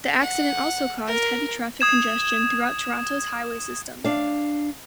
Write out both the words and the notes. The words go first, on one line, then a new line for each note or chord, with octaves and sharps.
The accident also caused heavy traffic congestion throughout Toronto's highway system.
F#5
A#4
D#6 G#6 E7
D4 F5